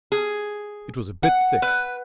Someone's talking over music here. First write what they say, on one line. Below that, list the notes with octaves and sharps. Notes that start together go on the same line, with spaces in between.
It was a bit thick.'
G#4
F#5
B4